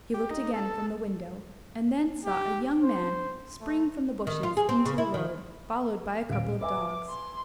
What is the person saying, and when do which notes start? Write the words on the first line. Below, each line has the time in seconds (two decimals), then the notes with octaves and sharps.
He looked again from the window, and then saw a young man spring from the bushes into the road, followed by a couple of dogs.
0.14 G4
0.30 D#4
0.54 A4
2.25 G4
2.82 C5
3.61 A3
4.27 D#3
4.43 F4
4.57 G#4
4.69 C4
4.85 C#3
4.98 E4
5.14 D#3
6.30 D#1 F5 D7
6.61 B4 E5 G#5 D6
7.09 C6